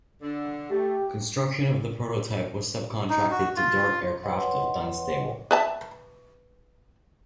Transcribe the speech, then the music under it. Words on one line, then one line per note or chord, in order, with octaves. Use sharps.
Construction of the prototype was subcontracted to Dart Aircraft of Dunstable.
D3
A3 G4
D#4
F#4
F4
B4 C#5 D#5 F#5 C6
B4 E5 A5